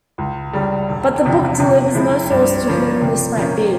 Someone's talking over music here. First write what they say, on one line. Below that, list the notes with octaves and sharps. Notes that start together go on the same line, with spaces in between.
But the book delivers no source to whom this might be.
C#2
C#3 G3
E1
E2 C3 F3
C3
F3 G#3 E4
G2
F3 A#3 C#4
C3
F3 A#3 C#4